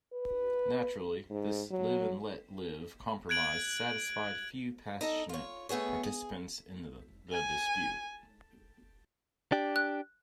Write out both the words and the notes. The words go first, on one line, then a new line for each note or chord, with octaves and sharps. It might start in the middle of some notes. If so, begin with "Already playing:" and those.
Naturally, this live-and-let-live compromise satisfied few passionate participants in the dispute.
B4
G#2
F#3
F#6 G#6 D7 F#7
D#4 A4 D#5
F4 C#5
A3 B3 G#4 C#5
G#4
G#5
D4 G4
F#6